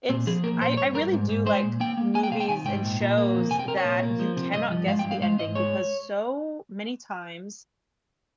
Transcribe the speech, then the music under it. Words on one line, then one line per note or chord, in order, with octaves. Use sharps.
It's I I really do, like, movies and shows that you cannot guess the ending, because so many times
A#2 C4
F3 G#4
A#3 A#4
A#2 C5
G2 C#5
G3 A#4
G#2
G#2
G#3 C5
A#2
A#3 G5
A#3
A#3 G#5
G5
C3 F5
G5
D#3 G#5
G#2 G5
A#2
A#2
A#3
F2
C3 G#5
G5
C3 A#4
C#5
A#2
A#3
F3
C3
G2 D#5
F3
G#3 F5
G5
G2
F5
G#3 F5
G#2 D#5
G#3 C#5